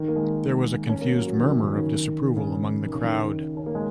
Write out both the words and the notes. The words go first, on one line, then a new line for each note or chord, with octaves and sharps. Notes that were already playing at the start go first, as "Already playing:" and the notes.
There was a confused murmur of disapproval among the crowd.
Already playing: D#3
A#3
G#3
C#4
A#3
F#3
F#3
D#3
D#3
C#3
D#3
C#3
D#3
C#3
D#3
C#4
A#3
G#3